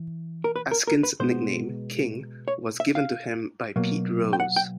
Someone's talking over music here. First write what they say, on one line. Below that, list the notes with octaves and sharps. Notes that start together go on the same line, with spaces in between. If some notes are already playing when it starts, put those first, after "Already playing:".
Eskin's nickname, "King", was given to him by Pete Rose.
Already playing: E3
A#4
B4
A#4
A#4
B4
B2 G#3 B3 C5
C#5
E5
F5
B2 F#3 A#3
G5
F#5
G5